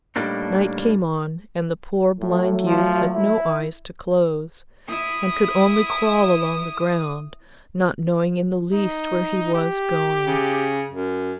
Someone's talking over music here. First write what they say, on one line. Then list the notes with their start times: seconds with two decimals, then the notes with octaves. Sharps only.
Night came on, and the poor blind youth had no eyes to close, and could only crawl along the ground, not knowing in the least where he was going.
0.16 A2 G3 A#3 D4 D#4
2.20 A2 F#3 A3
2.66 F3
3.16 E4
4.89 E4 D#6
8.73 D#4
9.55 G4
10.26 C#3
10.91 F#2